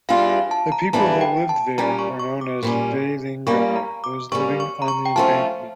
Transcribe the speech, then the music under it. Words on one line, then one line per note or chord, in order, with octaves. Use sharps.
The people who lived there were known as "vaellingar", "those living on the embankment".
E2 E3 G3 D4 F4 F5
F5
A5
A#5
E2 E3 G3 D4 F4 A5
G5
A5
A#2 G3 C#4 A#5
C#6
C#6
D6
A#2 G3 C#4
G3 A#3 C#4 C#6
A#5
D6
G3 A#3 C#4 C#6
C#6
A#5
C#6
G5
F3 A3 C#4 F4 A5